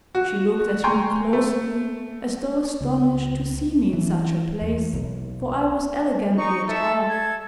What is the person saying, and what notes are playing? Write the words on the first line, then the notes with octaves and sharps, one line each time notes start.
She looked at me closely as though astonished to see me in such a place, for I was elegantly attired.
F#4
G5 G#5 A#5 C6 C#6 G6
A3
C#2
E3
E2
B1
D#4 C#6
A4 E5
G#6